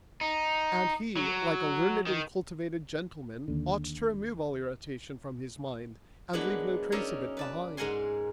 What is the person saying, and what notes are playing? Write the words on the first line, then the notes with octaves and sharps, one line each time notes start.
And he, like a learned and cultivated gentleman, ought to remove all irritation from his mind, and leave no trace of it behind.
D#4
F#3
D#3
D#2 D3
F#3 G#3 A#3 B3 D4 B4
C#4 D#4 A#4 C#5 D5 E5
B4 D5 A5
G#2 G#3 A#4 F#5 G#5 C6